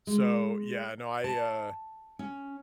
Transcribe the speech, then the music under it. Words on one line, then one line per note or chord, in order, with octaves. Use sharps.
So yeah. No, I, uh,
G#3
A5
C#4